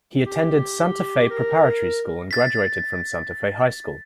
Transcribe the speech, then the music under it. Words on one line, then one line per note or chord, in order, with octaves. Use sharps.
He attended Santa Fe Preparatory School and graduated from Santa Fe High School.
G4
A#4
A6 B6